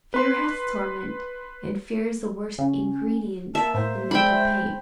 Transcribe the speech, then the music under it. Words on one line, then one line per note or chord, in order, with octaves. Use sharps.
Fear hath torment--and fear is the worst ingredient in mental pain.
B4 C6
C#3 C#4
A#3 E5 A5
A2 C5
G#3 D4 E5 G5 B5